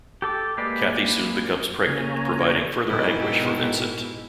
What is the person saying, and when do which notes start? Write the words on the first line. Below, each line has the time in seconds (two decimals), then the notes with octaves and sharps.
Cathy soon becomes pregnant, providing further anguish for Vincent.
0.22 G4 A4 D6
0.57 G#3 A#3 G4 B4 D5
1.87 C#3 A#3 C#5 G#5 A#5
2.87 G#2 B2 D#3 E4